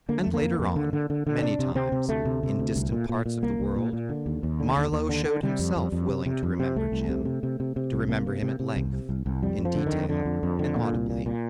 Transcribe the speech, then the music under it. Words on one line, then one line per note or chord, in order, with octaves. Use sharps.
And later on, many times, in distant parts of the world, Marlow showed himself willing to remember Jim, to remember him at length, in detail and audibly.
D3 A#3
F2 A3
A#3
F2
F2
D3
D3
D3
D3
C4
C3 D4
C3
C3 C4
C3
D2 A3
C3
C3
D2
C2
A#2
A#2
A#2
C2 A#3
C2
A#2
A#2
D3
D#2
D#2
D3
D#2
D#2
D3
D3
C3 G3
F2
F2
F2
C3
C3
F2
C3
C2 A3
C2
C3
C3
C3
C3
C3
C2
C3 A#3
C3
C3
C3
C2
C3
C2
C2
F2 G3
F2
F3
D3
D#3
F2
F2 D3
F2
F2
D3
A#2
C2
A#2
A#2